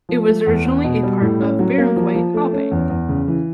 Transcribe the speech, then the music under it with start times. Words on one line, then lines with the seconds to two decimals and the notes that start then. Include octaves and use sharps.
It was originally a part of Barangay Alabang.
0.09 F3
0.28 A3
0.47 E2
0.65 B3
0.84 B2
1.03 G3
1.22 A2
1.40 C#4
1.59 F#3
1.78 A#3
1.96 F3
2.15 F3
2.34 A3
2.53 C#4
2.71 E2
2.90 E2
3.09 C#3
3.28 E3